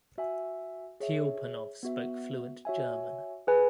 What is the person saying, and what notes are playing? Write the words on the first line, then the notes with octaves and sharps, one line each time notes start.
Tiulpanov spoke fluent German.
F#4 E5 G#5
G#4 C#5 E5
B3 F#4 E5
F#4 C#5 E5 G#5
G#4 B4 G#5